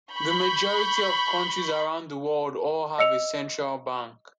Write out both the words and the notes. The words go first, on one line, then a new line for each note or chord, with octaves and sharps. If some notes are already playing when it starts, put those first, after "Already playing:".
The majority of countries around the world all have a central bank.
B5 C#6 G6
D#5 E6 C#7 F7